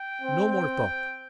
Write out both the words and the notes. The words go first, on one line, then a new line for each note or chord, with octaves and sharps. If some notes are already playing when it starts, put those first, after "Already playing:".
No more talk!
Already playing: G5
C4
G5